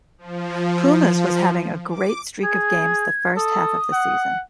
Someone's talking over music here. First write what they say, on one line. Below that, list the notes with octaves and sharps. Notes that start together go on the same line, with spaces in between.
Pumas was having a great streak of games the first half of the season.
F3
D6
G#4 G#6
A4 D#6
F#5